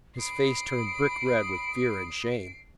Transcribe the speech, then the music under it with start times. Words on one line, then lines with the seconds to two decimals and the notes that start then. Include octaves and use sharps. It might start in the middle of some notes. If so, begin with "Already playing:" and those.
His face turned brick-red with fear and shame.
0.17 B5 D#6 C7 D7